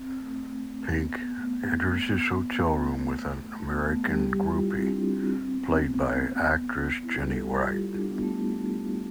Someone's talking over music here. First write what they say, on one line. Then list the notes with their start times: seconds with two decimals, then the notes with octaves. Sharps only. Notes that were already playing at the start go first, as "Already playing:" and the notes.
Pink enters his hotel room with an American groupie, played by actress Jenny Wright.
Already playing: C4
0.20 A3
0.47 A3
1.00 B3
1.27 B3
1.37 A3
1.45 B3
2.07 B3
2.50 B3
2.60 A3
3.56 A3
3.68 B3
3.86 B3
4.04 G3 G4
4.21 G3 G4
4.35 G3 G4
4.48 F4
4.62 E4
4.75 C4
4.88 D4
4.93 E4
5.11 C4
5.28 C4
5.43 C4
5.56 B3
5.69 B3
5.82 A3
6.35 B3
7.03 E4
7.16 G3 G4
7.30 A3 A4
7.43 G3 G4
7.60 F4
7.78 E4
7.97 D4
8.10 B3
8.23 A3